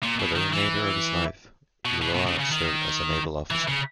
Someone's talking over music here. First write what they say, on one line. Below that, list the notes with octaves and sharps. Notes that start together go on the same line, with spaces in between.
For the remainder of his life, Ulloa served as a naval officer.
A#2
B2
D#3
E3
B2
B2
B2
C#3
C#3
D#3
E3
C#3